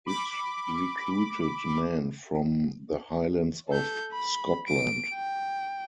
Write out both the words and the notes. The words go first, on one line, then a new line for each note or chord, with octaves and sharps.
It recruited men from the Highlands of Scotland.
B5 D6
A4 G6
B5
D7
G5